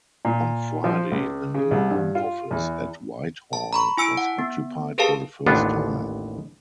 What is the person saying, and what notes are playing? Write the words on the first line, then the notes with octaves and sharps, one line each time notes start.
On Friday the new Home Office at Whitehall was occupied for the first time.
A#2
F3
C#2
C#3
C2
G2
F4
E2
A5
A#5 B5 C#6
E4 G#5 E6 C#7 D7
F#5
B3
G4 G#4 A#4 B4 F5 A5
A1 D#2 B3 D4 F4